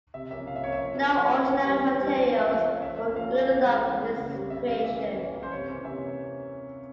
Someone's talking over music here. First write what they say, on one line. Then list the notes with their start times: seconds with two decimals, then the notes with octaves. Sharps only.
No ordinary materials were good enough for his creation.
0.14 C3 E5
0.30 F3 A#3 C#4 E5
0.47 C3 F5
0.56 E5
0.64 F3 A#3 C#4 C#5
0.73 E5
0.81 F3
0.98 A#3 C#4
1.14 F3
1.31 A#3 C#4
1.48 E3 C#5
1.64 G3 C4
1.81 E3
1.99 G3 C4
2.15 F3
2.32 A#3 C#4
2.49 F3 F5
2.66 A#3 C#4
2.82 F3 E5
3.00 A#3 C#4
3.16 F3 F5
3.34 A#3 C#4
3.50 E3 F5
3.66 G#3 C#4
3.84 E3
4.00 G#3 C#4
4.17 C#3
4.34 G3 C4
4.50 C#3 E5
4.67 G3 C4 F5
4.84 E3 E5
5.00 A#3 C#4
5.18 E3
5.35 A#3 C#4
5.43 C5
5.51 C3 C#5
5.69 E3 A#3 C#4
5.85 C3 E5